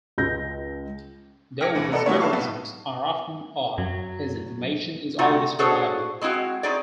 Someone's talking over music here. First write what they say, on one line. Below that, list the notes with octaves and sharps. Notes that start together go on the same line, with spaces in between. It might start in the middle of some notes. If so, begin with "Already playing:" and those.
"Though his mannerisms are often odd, his information is always reliable".
C#2 G#3 G6 A#6
G5 F6 G#6 A#6 C#7 D7
D2 E3
A4 B4 D5 D#5 F#5 A#5
F#3 G3 A#3 B3 C#5 D5
B4 E5 F5 A5 C#6 E6
B1 B3
F#2 F#3
C3 A3 D#4 F4 F#4
D4 F#4 G#4 A4 C5 C#5
G#3 C4 E4 F#4 F5
C4 D#4 G#4 C#5 D5